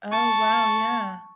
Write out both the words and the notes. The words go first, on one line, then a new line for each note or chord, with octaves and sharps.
Oh wow, yeah.
A5 C#6